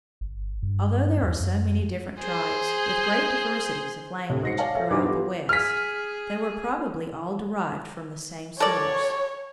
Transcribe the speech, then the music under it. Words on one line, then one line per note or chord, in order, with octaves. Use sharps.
Although there are so many different tribes, with great diversities of language, throughout the West, they were probably all derived from the same source.
G1
G2
E2
F#2
G#4 C5
D2 A2 C3
G#2 F#4 A#6 C7 C#7
C#5 D5 F5 G#5 A5
A4 C#5 E5 F5
G2 F#3 D#4 C5 D5 D6
B3 F4 G4 A4
G#4 F6 B6
A4 A#4 C#5 D5